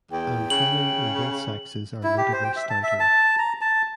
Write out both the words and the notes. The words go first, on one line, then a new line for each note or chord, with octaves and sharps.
Antennae in both sexes are notably stouter.
E2 G5
C#3 F#7
E4
G4
C5
G5
E5
A5
E5
A5
A#5
A5